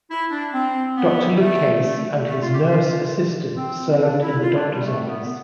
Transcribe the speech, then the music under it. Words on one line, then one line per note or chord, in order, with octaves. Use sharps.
Doctor Lucase and his nurse assistant served in the doctor's office.
E4
D4
C4
B3
G3
A3
A3
A3
F4
G4
F4
C4
D4
E4
F4
D4
G3
A3
B3
B3